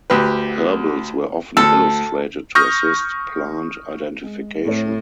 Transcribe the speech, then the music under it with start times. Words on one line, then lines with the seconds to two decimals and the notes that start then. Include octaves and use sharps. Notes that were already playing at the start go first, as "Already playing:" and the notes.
Herbals were often illustrated to assist plant identification.
0.10 D2 G4 B4
1.57 D2 A4
2.55 C#6 D#6 F6 G6 A#6
4.23 G#3
4.65 A2 C4 A4 C#5